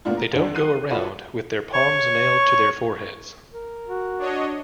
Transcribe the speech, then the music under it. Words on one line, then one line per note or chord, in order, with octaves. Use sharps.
They don't go around with their palms nailed to their foreheads.
A2 A#3 B3 D4 F4
A#4
F2 D3 D4
F#6 C7 D#7
F4 F#4 A4 B4 C#5 D5
C#5 C#6
A#4
F#4
D4 C#5 D#5